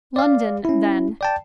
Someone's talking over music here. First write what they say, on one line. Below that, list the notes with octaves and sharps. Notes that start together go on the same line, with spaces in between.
"London, then."
D5 F5
C#4 E4
D5 G5 A5